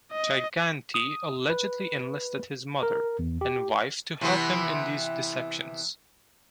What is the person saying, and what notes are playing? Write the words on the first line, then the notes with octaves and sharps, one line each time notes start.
Gigante allegedly enlisted his mother, and wife to help him in these deceptions.
D#5
D#6
B4
A#4
E2
G4
C3 E3 B3